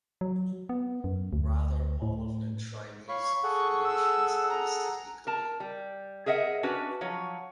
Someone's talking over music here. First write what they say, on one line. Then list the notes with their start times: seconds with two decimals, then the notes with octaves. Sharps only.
Rather, all of an enshrinee's affiliations are listed equally.
0.21 F#3
0.69 B3
1.04 F#2
1.33 D2
2.02 A2
3.09 C#5 F5 B5 C#6
3.43 G#4 A4 F#5
3.84 E6
4.49 A#5
5.27 A#4 A5
5.60 G3
6.26 G#4 A#4 D#5 E5 F#5
6.63 C#4 D4 F#4 B4
7.01 F3 F#3 C#5